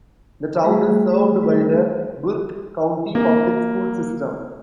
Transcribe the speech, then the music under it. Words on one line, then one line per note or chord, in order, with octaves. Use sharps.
The town is served by the Burke County Public Schools system.
G3 A3 G#4
A#3